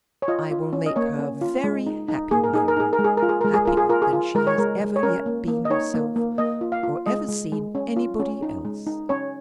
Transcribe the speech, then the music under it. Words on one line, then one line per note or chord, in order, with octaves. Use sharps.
I will make her very happy, Mary; happier than she has ever yet been herself, or ever seen anybody else.
C#5
F4 D#5
F4
C#4
D#5
A#3 C#5
C#4
F4
G#3
D#4
D#4
A#3 G#4
A#4
D#4 G#4
A#4
D#4 G#4
A#4
G#3
G#4
A#4
F4
G#4
G#3 A#4
G#4
F4 A#4
G#4
F4 A#4
G#4
F4
G#3 A#4
C#5
G#3 A#4
G#3
C#5
C#4 A#4
A#3
A#3
D#5
D#4 C#5
A#3
A#3
A#3 D#5
F4
F5
F4
G#3 D#5
G#3
G#3
C#4
F4
C#4
D#4
G#3
D#4
C#4 C#5